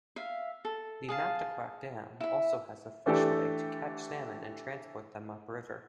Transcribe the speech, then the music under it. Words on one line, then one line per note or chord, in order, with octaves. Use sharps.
The Mactaquac Dam also has a fishway to catch salmon and transport them upriver.
E5 F5
A4
G#4 F5 A5
E4 E5
E3 A3 D4 G4 A4